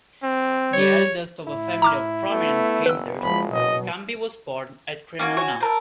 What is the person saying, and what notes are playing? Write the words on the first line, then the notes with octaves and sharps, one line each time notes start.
The eldest of a family prominent painters, Campi was born at Cremona.
C4
G3 C#5
A2 E4
A#5 D6 F6
A3 B3
F#1 B4 E6
F3 G#3 B5
B2 F#3 D#5
A#3 C#4 F#4
F#4 C#5 G#5
A4 A#4 C5